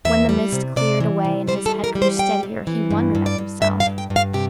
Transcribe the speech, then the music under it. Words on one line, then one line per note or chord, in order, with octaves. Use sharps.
When the mist cleared away and his head grew steadier, he wondered at himself.
E2 E5
G3
C3
C3 D5
E3
C3
G3 C5
A4
E3
A#4
G3
C5
F2 G5
C3
E3
G2
G2
D5
G2
G2 E5
F5
G2
G5
G2
F5
C3 G4